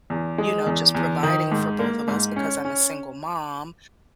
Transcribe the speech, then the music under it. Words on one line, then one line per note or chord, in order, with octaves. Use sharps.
you know, just providing for both of us because I'm a single mom,
E2
G#3
E2
E2
D#3
G#2
A#3
G#2
C#4
C#4